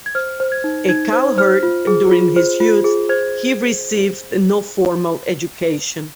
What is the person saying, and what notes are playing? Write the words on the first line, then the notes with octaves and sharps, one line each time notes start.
A cowherd during his youth, he received no formal education.
G#6
C5 F6
C5
G#6
D#4
D#4 G#6
C5
C5 F6
F4
G#4
F4
C5
F4
G#4
C5 G#6